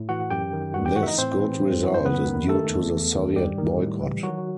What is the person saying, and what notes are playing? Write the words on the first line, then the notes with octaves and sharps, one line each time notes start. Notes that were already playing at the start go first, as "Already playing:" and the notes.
This good result is due to the Soviet boycott.
Already playing: A2
E3 F#4 F#5
F#2 G4 G5
D#3
G2 F#4 F#5
G4 G5
E3 F#4 F#5
E5
D#4 D#5
A2 C4 C5
E3
G2
E3
C5
F#2 B3 B4
D#3
D#3 A3 A4
E2
E2
D#3
G2 G3 G4
D#3
A2
E3
D#3 F#3 F#4